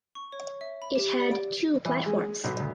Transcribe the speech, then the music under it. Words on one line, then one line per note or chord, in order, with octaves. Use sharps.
It had two platforms.
C#6
C#5
E5
B5
G4
D5
D7
E3
G#3
B1
D2